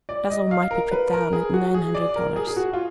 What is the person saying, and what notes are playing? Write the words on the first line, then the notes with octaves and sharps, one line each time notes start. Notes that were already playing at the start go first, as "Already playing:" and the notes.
Bazil might be put down at nine hundred dollars.
D5
D#5
F5
A#4
B4
A#4
G#4
F#4
G#4
D5
A#4
G#4
G#4
F#4
F4